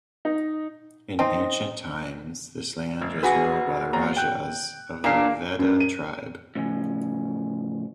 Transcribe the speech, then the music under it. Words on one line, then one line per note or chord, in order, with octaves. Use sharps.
In ancient times, this land was ruled by the Rajas of the Veda tribe.
D#4
C4 D#4
F1
F#4 G#4 B4
D#2 A#5
G5 F#6
A#2 A#3 D4 C7
F#2
D#7
A2 C#3 F3